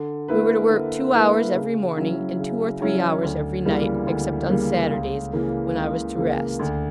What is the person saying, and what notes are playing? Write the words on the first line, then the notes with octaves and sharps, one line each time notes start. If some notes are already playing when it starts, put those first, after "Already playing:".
We were to work two hours every morning, and two or three hours every night, except on Saturdays, when I was to rest.
Already playing: D3
A#3 E4 B4
D3
A#3 E4 B4
C#3
F#3 C#4 E4
C#3
F#3 C#4 E4
D2
C#3 E3 G3 A#3
D2
C#3 E3 G3 A#3
C#2
C#3 E3 A#3
C#2
C#3 E3 A#3
D2